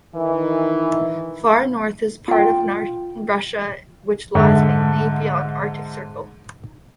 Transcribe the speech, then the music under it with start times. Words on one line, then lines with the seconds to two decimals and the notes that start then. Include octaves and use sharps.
Far North is the part of Russia which lies mainly beyond the Arctic Circle.
0.14 D#3 E3
2.28 F4 G5
4.35 G#2 D3 A4 E5